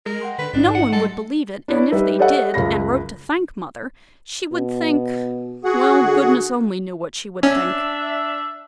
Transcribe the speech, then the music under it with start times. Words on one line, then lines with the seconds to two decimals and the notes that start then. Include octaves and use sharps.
No one would believe it; and if they did, and wrote to thank mother, she would think--well, goodness only knew what she would think.
0.06 G#3 A#4
0.21 F#5 G5 C6
0.38 D3 B4
0.53 A1 G#2 D4 D#4
0.75 F#5
0.92 G3 G#3 A4
1.68 D4 E4 C#5
1.92 G3 D#4 B4 E5
2.19 G4 A4 C#5 D#5 E5 F#5
2.54 C#2 F#2 F5 B5 A#6
4.52 B2
5.64 F#4 G#4 F#5
6.02 D3
7.43 C#4 D4 E5